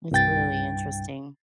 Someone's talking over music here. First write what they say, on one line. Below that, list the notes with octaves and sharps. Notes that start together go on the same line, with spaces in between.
It's really interesting.
C2 G2 G5 A6